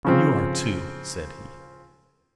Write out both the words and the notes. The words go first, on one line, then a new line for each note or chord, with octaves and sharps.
"And you are, too," said he.
C#3 F3 C4